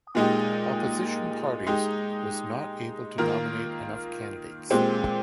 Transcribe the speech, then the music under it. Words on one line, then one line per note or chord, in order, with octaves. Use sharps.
Opposition parties was not able to nominate enough candidates.
A#2 G#3 D#4 G4
G#3 D#4 G4
D#3 A#3 F4 A#4
A#2 G#3 C4 G4